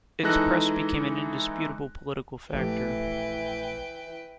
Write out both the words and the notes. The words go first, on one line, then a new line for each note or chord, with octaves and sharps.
Its press became an indisputable political factor.
E3 G#3 D#4 A4 F#6 A#6
A#1 E3 A3 G4 B4 G5